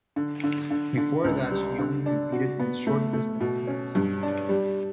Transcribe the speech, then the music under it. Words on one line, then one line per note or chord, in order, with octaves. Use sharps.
Before that she only competed in short distance events.
D3
D3
D3
D3
C#2
G3
D3
D4
F#4
B3
A3
A3
B2
C#4
G2
D4
G3